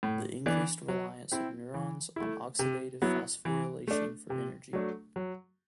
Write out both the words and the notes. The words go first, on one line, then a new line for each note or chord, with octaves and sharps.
The increased reliance of neurons on oxidative phosphorylation for energy.
A2
E3 B3 D4
F#3
C4 E4
E3
A3 E4
C3
F#3 B3 E4
E3
A3 D4
C3
F#3 A3 D4
F#3